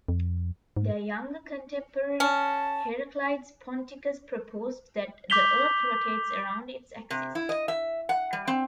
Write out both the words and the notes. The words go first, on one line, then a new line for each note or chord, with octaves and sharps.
Their younger contemporary Heraclides Ponticus proposed that the Earth rotates around its axis.
F2
G#2
C#4 A5
D6 G6 B6 F7 G7
C3
E4
D#5
E5
F#5
G3
C4